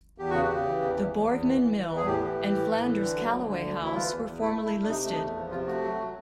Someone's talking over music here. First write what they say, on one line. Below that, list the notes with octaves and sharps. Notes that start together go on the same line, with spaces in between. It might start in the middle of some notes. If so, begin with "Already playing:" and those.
The Borgmann Mill and Flanders Callaway House were formerly listed.
E2 G4
C#3 F#4
G4
C#3
E3
E2
E2
E2
E2
E3
E3
E3
E2
G#4
A2 G4
E3
E3
A2
A2
E3
D3
F#3
D2
D3
D2
D2
E4
E3 F4
E2
E2
A3 E4
A3
E4
A3
D4
C3 D#4
A3 D4
D#4
E2
F3
C3 F4
A3 F#4
F#3
F#3